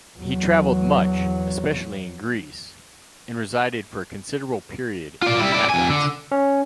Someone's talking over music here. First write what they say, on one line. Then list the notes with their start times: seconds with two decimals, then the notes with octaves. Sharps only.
He traveled much, especially in Greece, and resided for a considerable period in Athens.
0.15 E2 F#3
5.22 F4 D5
5.40 G3 E4
5.52 E4 D5
5.70 F2 G#5
5.90 D3
6.32 C#4